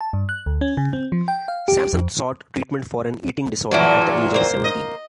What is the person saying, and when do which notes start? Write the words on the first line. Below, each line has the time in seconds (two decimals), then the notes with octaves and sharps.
Samson sought treatment for an eating disorder at the age of seventeen.
0.01 A5
0.13 G2
0.29 F#6
0.46 D2
0.61 C#4
0.77 C#3
0.93 C4
1.12 F3
1.28 G5
1.48 F5
1.68 G4
1.93 F2
3.71 E2 A#2 F#3 E4 D5 A5
4.34 A#3 C5
4.64 D#5